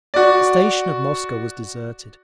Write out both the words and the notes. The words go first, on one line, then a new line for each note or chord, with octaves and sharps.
The station at Moscow was deserted.
F#4 D5